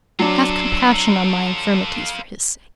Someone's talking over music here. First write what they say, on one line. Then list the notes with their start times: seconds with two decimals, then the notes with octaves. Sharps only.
Have compassion on my infirmities for his sake.'
0.19 F#3 D4 F4 A4